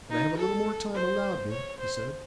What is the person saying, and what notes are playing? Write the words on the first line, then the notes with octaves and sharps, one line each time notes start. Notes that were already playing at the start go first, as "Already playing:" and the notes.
'But I have a little more time allowed me,' he said.
D#4
A4
C5
C#5
C5